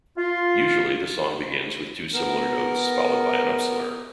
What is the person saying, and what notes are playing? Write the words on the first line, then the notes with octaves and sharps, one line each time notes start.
Usually the song begins with two similar notes followed by an upslur.
F4
B3 A#4